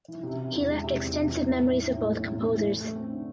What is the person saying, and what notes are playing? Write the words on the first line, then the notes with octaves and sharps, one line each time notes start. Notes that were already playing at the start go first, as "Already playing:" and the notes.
He left extensive memories of both composers.
E3
C3
C3
E2
G#3
C3
E2
C3
E2
E3
A2
E3
A2
A3
A2
A2
E3
A3
A3
C4
D3